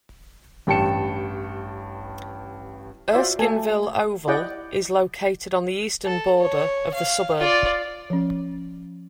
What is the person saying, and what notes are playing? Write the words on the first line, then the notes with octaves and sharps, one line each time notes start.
Erskineville Oval is located on the eastern border of the suburb.
A1 G2 G5 A5 C#7 E7
F4 F#4 C5 D5 E5
A3 A4 G#5
E4 G4 D5 D#5 F#5 G5
A4
C#5
F5
F4 D5
F3 C#4